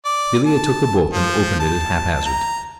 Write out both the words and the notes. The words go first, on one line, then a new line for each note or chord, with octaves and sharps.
Villiers took the book, and opened it at haphazard.
D5
A5
F3
A5
A#5